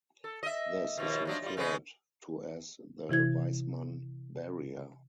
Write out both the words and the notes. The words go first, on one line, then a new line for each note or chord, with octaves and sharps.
This is referred to as the Weismann barrier.
A4
D#5 E5
D#2 B2 F3
F3 F#3 D4
G3 F4
C#3 G#3 B3
C3 E3 E4 G#6